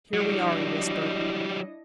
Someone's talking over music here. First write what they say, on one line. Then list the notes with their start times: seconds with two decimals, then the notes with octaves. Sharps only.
"Here we are," he whispered.
0.14 F#3 G3 D4 E4 D#5